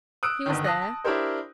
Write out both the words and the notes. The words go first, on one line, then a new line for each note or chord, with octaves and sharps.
He was there?
D#6 E6 F#6 D7
G1 D3 D#3
A5 D#6 F#6 A#6
A5
D4 E4 G4 A#4 C5